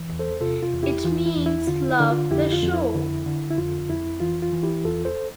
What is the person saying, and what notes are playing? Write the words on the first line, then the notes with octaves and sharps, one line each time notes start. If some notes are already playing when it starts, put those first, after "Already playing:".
It means "Love the show".
Already playing: E3
E2
A4 C5
C3 F4 A4
F4
E2
E4 G4
E3 F4
E4
E2
E4
D3 F4
E4
D3
F4
F2 E4 G4
F4
F2
E4
D3
D3
E4
F2 F4
F2 E4
E3 F4
F4
E3
E4 G4
E2 F4 A4
A4 C5